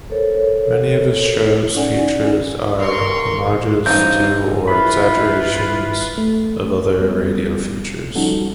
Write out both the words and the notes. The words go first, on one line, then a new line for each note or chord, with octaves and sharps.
Many of his show's features are homages to or exaggerations of other radio features.
A4 A#4 C5 C#5
C#4 D#4 D5 F#5 G#5
A#4 C6 C#6
A1 G2 D#4 C5 G6
E4 F4 B4 B5
A3
G3 B3 C#4
F3 G3 C#4 D#4 F#4 A4